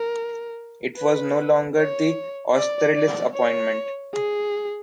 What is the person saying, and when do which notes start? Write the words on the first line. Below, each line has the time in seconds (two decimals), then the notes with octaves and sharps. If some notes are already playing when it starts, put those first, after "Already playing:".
It was no longer the Austerlitz appointment.
Already playing: A#4
0.97 B4
1.76 C#5
2.54 D5
2.95 D5
3.33 C#5
4.13 G#4